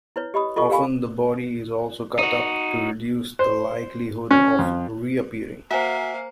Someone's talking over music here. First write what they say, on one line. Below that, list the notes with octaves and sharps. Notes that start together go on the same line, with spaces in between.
Often, the body is also cut up to reduce the likelihood of reappearing.
E4 B4 C#5
G4 D#5 B5 D#6
F4 A4 D#5 C#6
G4 A#4 F5 G#5 B5
D#4 F#4
C5
C#4
F2
A#3 F#4 C5 E5 F5 G#5 A#5